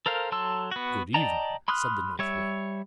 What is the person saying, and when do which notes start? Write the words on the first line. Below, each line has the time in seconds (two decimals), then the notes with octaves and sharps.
'Good evening!' said the North Wind.
0.06 A4 A#4 C5 F5
0.32 F#3 A4 A5 C6 E6
0.71 B3 F#4
1.14 D5 D#5 G5 A5 A#5
1.68 B5 C6 D#6 F6 F#6
2.19 G3 C#5 E5